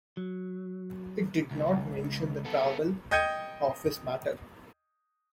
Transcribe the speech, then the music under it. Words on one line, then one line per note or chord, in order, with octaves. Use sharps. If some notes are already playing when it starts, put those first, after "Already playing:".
It did not mention the travel office matter.
F#3
C#2
B3 A4
D#5 G5 G6 G#6 C#7 D#7